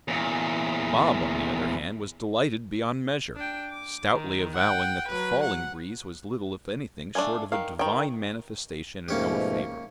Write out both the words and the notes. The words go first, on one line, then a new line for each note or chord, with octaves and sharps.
Bob, on the other hand, was delighted beyond measure, stoutly avowing that the falling breeze was little, if anything, short of a divine manifestation in our favour.
E2 A#2
D4 G5
D6
D#3
F#5 G5
F#3 B4
F#5
A3 D4 C5 F5 G#5
D#3 F5
D#3 G5
G#2 B2 F3 A3 A#3 C#4 G4